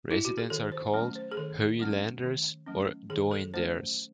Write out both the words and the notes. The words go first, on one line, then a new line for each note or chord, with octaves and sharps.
Residents are called Hoeilanders or Doenders.
E4
F#4
G#4
D#3 A4
C5
F#3 A3 C#4
C5
G#4
D#3 A4
F#3 A3 C#4
D#3
F#3 A3 C#4
D#3 G#4
A4
F#3 A3 C#4 C5